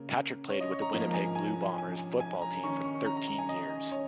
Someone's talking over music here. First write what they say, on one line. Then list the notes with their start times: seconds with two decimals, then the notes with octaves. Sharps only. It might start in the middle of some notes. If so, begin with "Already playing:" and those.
Patrick played with the Winnipeg Blue Bombers football team for thirteen years.
Already playing: C#3 A#3 C#4 A#4
0.50 C#5
0.61 D#5
0.71 C#6
0.82 A#5
0.93 G#2 F3 A#3 A#5
1.10 A#5
1.14 G#5
1.35 G#5
1.78 G#5
2.20 G#5
2.42 A#5
2.63 D#3 C#4 C#6
2.85 C#6
3.06 A#5
3.17 A#5
3.28 A#5
3.39 G#5
3.49 D#5
3.92 C#5